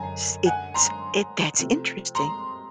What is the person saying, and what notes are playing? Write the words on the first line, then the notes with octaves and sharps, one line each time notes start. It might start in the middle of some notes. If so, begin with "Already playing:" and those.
S it's it that's interesting.
Already playing: F#2 D3 G#5 A#5
F#5 G#5
A#5 C6
C3 F3 A3
A#5 C6